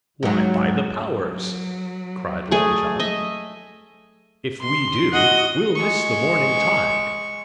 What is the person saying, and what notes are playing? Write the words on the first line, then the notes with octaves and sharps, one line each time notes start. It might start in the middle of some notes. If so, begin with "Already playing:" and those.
"Why, by the powers," cried Long John, "if we do, we'll miss the morning tide!"
G#2 F#3
F#3
A3 G#4
D#5 E5
C6
F#4 D#5 F#5
G#3 C#6